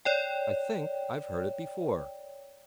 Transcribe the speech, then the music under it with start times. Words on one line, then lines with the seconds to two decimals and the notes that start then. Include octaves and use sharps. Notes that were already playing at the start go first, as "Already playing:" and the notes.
I think I've heard it before.
0.05 C#5 D5 G5